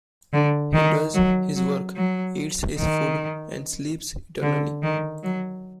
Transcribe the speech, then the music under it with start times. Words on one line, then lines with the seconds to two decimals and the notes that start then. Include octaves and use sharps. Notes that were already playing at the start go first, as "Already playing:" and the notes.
He does his work, eats his food, and sleeps eternally!
0.33 D3
0.73 D#3
1.14 F#3
1.56 F#3
1.96 F#3
2.78 D#3
4.42 D3
4.82 D#3
5.23 F#3